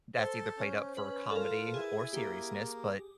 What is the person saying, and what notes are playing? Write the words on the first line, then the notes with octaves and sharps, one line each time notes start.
that's either played up for comedy or seriousness, but
A4 C5
C#4
C#4 B4
A4
F4 A#4
A4
E4 G#4
A#3 G4